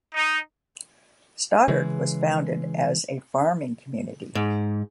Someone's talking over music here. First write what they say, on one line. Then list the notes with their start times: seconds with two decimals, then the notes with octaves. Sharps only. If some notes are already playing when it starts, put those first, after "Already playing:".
Stoddard was founded as a farming community.
0.15 D#4
1.68 C#3 E3 G#3
4.35 G#2